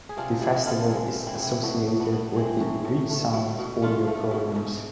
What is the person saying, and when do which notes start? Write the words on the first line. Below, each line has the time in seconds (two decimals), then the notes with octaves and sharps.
The festival is associated with the "Re:sound" audio programs.
0.09 G#4
0.17 C3 D4 F4
0.41 C3 E4 G#4
0.66 B3 F4 A4
0.91 G#3
1.15 C3
1.27 C4 E4
1.39 C3
1.63 A2 B3 D4
1.88 A2
2.00 B3 D4
2.12 B3
2.36 G#3 C4 E4
2.61 A2
2.85 A2
3.10 A3
3.33 B2
3.59 B2
3.82 A3 D4 F4
4.07 A3
4.31 B2
4.55 G#2